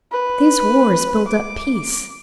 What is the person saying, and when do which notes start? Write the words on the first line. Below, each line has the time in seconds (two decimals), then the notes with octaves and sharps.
These wars build up peace.
0.12 B4
1.29 D6